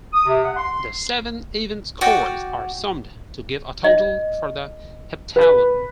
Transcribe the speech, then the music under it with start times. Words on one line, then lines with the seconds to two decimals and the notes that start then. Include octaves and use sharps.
The seven event scores are summed to give a total for the heptathlon.
0.13 D#6
0.26 C3
0.44 F#5
0.57 C6
2.01 F#4 D5 G5
3.84 D#5
5.36 B4